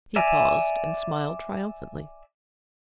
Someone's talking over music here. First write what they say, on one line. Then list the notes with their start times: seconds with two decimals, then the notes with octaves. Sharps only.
He paused and smiled triumphantly.
0.16 D5 E5 G#5 A#5